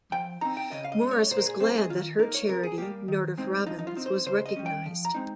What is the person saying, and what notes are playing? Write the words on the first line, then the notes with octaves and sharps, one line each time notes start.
Morris was glad that her charity, Nordoff-Robbins was recognised.
F3 G5
C4 D#4 A#5
G5
C#3 D#5
F5
D#5
G#3 C#4
C#5
A#2 C5
A#4
G#4
G3 C4 D#4 C5
G#4
D#3 F4
A#3 D#4 A#4
C#5
C3 A#4
G#4
G3 A#3 G4
D#3
G#3 C4 D#4
F3 D#4
D#4
F4
C4 D#4
C5
C#3 C5
D#5
G3 C#4
G5
F3
A#5
G#3 C4 D#4